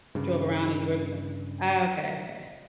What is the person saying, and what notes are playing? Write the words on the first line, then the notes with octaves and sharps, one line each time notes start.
drove around and you were co Oh, okay, okay.
G2 C#3